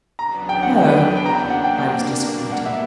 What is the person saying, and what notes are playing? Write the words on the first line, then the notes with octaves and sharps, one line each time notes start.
"Oh!" I was disappointed.
E2 C#3 F#3 B3 D4 A#5
G5
F#5
G5
B4
G5
G5
A#5
B2 A#3 D4 G5
F#5
G5
G5
G3 B3 F#5
E5